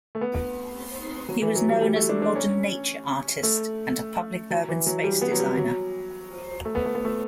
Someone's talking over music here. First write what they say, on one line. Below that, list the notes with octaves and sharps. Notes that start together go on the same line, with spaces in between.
He was known as a modern nature artist and a public urban space designer.
A3
B3
F#3
E3
F#3
G3
G3
A3
D4
D4
C#4
A3
F#3
E3
F#3
G3
B3
F#3
G3
F#3
A3
B3
A3
B3
A3